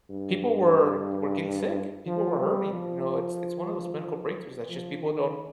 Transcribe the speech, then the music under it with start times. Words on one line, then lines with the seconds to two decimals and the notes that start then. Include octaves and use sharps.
people were were getting sick, people were hurting, you know? It's it's one of those medical breakthroughs that's just people don't
0.10 G2
2.07 F3
2.40 G3
2.73 F3
4.69 F3
5.02 D#3